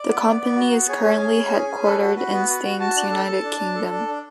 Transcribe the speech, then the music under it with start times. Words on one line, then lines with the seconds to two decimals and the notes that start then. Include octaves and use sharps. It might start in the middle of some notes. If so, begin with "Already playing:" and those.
The company is currently headquartered in Staines, United Kingdom.
Already playing: D5
0.09 B3
0.25 B3
0.40 B3
0.56 F#4
0.72 B3
0.88 G#4 C#5
1.04 C#4
1.20 G#4
1.35 C#4
1.52 G#4
1.68 C#4
1.83 A4 B4
2.00 F#4 A4
2.15 F#4 B4
2.32 B3
2.48 F#4
2.64 F#4
2.79 F#4 A5
2.96 D4
3.11 A4
3.27 A4
3.43 D4
3.59 D4
3.75 A4
3.91 D4
4.08 D4